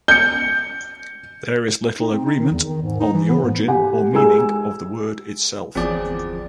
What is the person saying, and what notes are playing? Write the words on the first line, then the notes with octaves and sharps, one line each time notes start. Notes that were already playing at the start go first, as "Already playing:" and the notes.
There is little agreement on the origin or meaning of the word itself.
G6 C#7
D#4
C4
D#4
D#3
E2
D#3
G#2
D#4
E3
B3
G#2
G4 F#5 G#5
G#3 G#4 G#5 E6
G1 E2 F3 C4 G#4 D5 D6